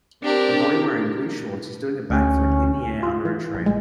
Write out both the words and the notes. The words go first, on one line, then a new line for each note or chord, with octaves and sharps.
A boy wearing blue shorts is doing a back flip in the air under a tree.
C4 D4 G4 A#4
D2 C#4
F4
E3
A#1
G#3